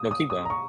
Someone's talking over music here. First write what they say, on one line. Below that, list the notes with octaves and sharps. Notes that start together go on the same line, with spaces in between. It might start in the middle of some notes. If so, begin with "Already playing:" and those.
No, keep going.
Already playing: D#6
D#6
D#6
A#5
C#6